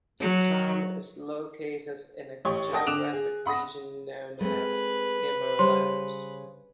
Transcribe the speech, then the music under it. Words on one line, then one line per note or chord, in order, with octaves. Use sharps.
The town is located in a geographic region known as "Himmerland".
F#3
A1 G4 C#5 C#6
A#4 F#5 G5 A5 D#6 A#6
D3 D6 F#6 D7 E7 F7
G#4
F#5 B5 D#6 A#6
G#3 A3 C4 B4
C#3 G3 C5 C#5 C6